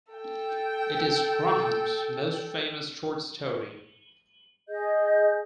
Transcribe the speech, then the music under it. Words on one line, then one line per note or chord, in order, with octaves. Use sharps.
It is Grahame's most famous short story.
A4 G5
G#4 D#5 G6